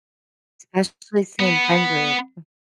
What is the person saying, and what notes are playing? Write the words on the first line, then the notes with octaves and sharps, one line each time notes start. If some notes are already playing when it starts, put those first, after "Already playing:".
Especially same friend group. Mm.
B3